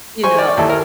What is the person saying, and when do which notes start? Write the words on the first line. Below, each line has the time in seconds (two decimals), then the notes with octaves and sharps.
you know
0.24 C5 G#5 C#6
0.38 D5
0.57 D#2 E4 A4
0.69 A#4